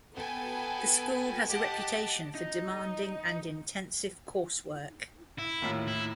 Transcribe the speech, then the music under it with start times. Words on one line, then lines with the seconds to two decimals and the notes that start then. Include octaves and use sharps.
The school has a reputation for demanding and intensive coursework.
0.15 B3 A4 G5 G#5
1.50 G4 D#5 F#5 A5 D6
2.35 D#4
5.39 E4
5.62 D#2 A2 F4
5.88 E4